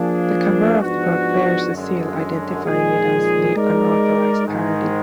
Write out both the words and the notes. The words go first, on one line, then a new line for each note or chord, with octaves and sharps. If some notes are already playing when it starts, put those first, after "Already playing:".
The cover of the book bears a seal identifying it as The Unauthorized Parody.
Already playing: F3 A#3 D4 G#4
G#2 F3 B3 D4 F#4
F#2 D3 G#3
A#2 F3 G#3 D#4 G#4
G#3 D#4 A#4 D5
G#2 D#3 G#3